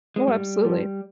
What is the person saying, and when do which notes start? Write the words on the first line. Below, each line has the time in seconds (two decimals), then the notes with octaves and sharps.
Oh, absolutely.
0.16 G#3
0.27 G#2 G3
0.65 F3